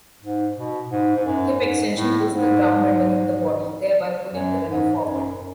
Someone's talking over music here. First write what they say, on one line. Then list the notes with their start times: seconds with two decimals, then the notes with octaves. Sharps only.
Hip extension pulls the ground underneath the body, thereby pulling the runner forward.
0.22 G#2
0.57 B2
0.90 G#2
1.16 G#2
1.25 F#2
1.59 G#2
1.93 A2
2.28 G#2
4.34 F#2
4.67 G#2
5.02 F#2